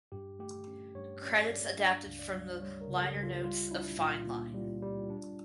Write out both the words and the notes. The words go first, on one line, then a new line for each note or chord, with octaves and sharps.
Credits adapted from the liner notes of "Fine Line".
G2 G4
A3 G4
C#4
G2 C#5
C#4 D5
G2 D5
D4 F5
C#2
D5
G3
G3 C#5
A#4
C#3
A4
G4
C#2
F4
G3 F4
D4 E4
A#2 F4
A#2
G3
G3
D4